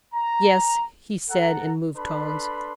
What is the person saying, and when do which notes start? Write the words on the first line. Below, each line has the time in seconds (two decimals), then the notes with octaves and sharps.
"Yes," he said, in moved tones.
0.14 A#5
1.30 A4 F#5 A#5
1.96 D4 A4 B4 A5 B5 C6